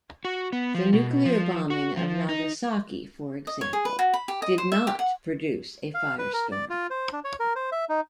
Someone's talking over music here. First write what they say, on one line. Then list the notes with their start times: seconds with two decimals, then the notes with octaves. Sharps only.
The nuclear bombing of Nagasaki for example, did not produce a firestorm.
0.25 F#4
0.53 B3
0.75 F3
0.93 B2
1.25 F3
1.70 F#4
1.97 F3
2.29 D#4
3.47 D#5
3.61 C#5
3.73 G#4
3.85 B4
3.99 F#4
4.14 B5
4.28 G4
4.42 D#5
4.58 C5
4.72 E5
4.87 G4
4.99 F#5
5.94 F5
6.18 B4
6.33 A#4
6.52 D5
6.70 F4
6.90 C5
7.13 D4
7.24 C#5
7.40 A#4
7.56 C5
7.72 E5
7.89 D#4